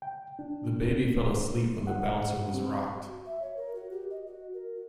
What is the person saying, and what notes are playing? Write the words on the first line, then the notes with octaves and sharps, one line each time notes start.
The baby fell asleep when the bouncer was rocked.
G5
D4
F#5
C4
F#4
E5
C#5
A#4
F#4
G4
D#5
F#4
A#4
F#4